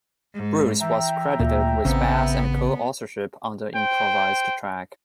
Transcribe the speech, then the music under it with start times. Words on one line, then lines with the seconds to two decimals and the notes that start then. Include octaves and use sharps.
Bruce was credited with bass and co-authorship on the improvised track.
0.34 G#2
0.81 E3 E5 G5 A#5
1.40 D2 A#2
1.85 A1 C#3 B3 C4
3.74 C5 G5